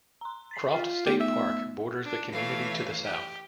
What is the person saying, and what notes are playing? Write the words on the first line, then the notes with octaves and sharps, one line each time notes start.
Croft State Park borders the community to the south.
A#5 C6
A6 B6 C7
F4
A3 B3 D#4 G4
E5
D4
E3 A3 C#5 F5
G4